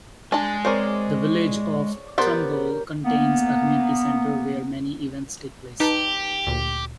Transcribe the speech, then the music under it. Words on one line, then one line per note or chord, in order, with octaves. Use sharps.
The village of Trumbull contains a community center where many events take place.
G#3 D4 G#5 A5
C4 G#4 A#4 C#5 D5
B3 G4 A#4 C5 D5
A#3 B3
D#4 G4 B4 A5
D2 A#2